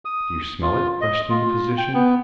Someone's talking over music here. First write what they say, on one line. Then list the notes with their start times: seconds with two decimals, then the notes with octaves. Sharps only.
"Do you smell it?" questioned the physician.
0.05 D#6
0.62 F4
1.01 D#5
1.30 F4
1.78 G5
1.94 B3